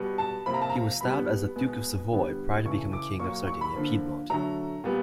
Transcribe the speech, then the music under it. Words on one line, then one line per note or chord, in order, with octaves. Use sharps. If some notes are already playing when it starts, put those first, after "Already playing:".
He was styled as the "Duke of Savoy" prior to becoming King of Sardinia-Piedmont.
Already playing: B2 G3 B3
A5
C3 F3 A#3 B5
A#5
A5
A#5
B2 G3 B3 B5
B2 G#3 B3
D3 G3 B3
C#3 E3 A3 C#6
D6
A#2 F#3 A#3 C#6
C#6
B5
D3 F3 A#3
D3 F#3 A3 A#5
A#2 G3 B3